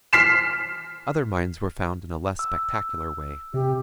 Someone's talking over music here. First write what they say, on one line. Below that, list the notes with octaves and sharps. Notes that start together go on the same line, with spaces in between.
Other mines were found in a less spectacular way.
F6 B6 C7 E7
E6
C3 G4